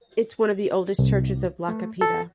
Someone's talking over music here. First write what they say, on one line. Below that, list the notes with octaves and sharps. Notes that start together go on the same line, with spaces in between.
It’s one of the oldest churches of La Cepeda.
C2
A3
A4